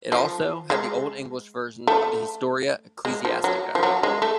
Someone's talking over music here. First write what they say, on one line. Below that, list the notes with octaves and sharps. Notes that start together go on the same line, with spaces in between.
It also had the Old English version of the "Historia ecclesiastica".
F3
G#3
A3
G#3
F3
F#3
F3
F#3
G#3
A3